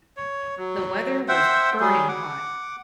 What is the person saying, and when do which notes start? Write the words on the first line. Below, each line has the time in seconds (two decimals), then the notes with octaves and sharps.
The weather was burning hot.
0.17 C#5
0.57 F#3
1.28 C5 E5 F#5 G5
1.80 F#3 G3 G#4
2.08 F#5 D6